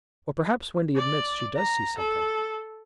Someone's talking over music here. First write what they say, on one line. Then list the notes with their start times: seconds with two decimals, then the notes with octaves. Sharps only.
Or perhaps Wendy admits she does see something.
0.96 D5
1.56 A#5
1.98 A4